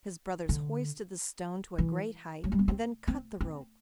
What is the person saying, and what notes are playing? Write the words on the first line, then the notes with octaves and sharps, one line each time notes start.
His brothers hoisted the stone to a great height, and then cut the rope.
D3
E3
F#3
G3
B3
C4
C4
C4